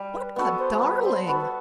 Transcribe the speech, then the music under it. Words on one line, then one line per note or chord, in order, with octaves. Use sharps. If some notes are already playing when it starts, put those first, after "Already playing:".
What a darling!'
Already playing: G3
B4
B3 F#4 A4 B4
C5
C5
G3 B4
C5
B3 F#4 A4 B4
B4